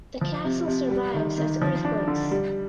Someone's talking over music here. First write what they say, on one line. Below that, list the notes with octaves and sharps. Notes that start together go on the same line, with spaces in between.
The castle survives as earthworks.
F3
C3
C3
G3
D#3
D#3
F3
D4
D3
G3